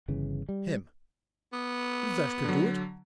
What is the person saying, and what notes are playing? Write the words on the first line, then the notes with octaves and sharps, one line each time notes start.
HIM: That could do it.
G1 C#3 E3
G3
B3
D3 F#3